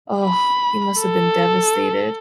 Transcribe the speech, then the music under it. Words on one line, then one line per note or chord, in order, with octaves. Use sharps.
oh, he must have been devastated.
B5
A4